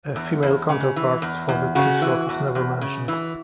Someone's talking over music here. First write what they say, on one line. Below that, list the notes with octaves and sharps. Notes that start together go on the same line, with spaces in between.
A female counterpart for the Tisroc is never mentioned.
E2
E2
C#3
E3
E2
E2
C#3 F#4
E3
E2
E2
C#3
E3